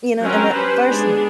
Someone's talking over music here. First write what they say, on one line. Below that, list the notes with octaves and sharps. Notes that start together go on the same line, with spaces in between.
you know, and at first
F#3 C4 C#4 A#4
C#4 G4 B4 C5
G#3 B3 D4 G#4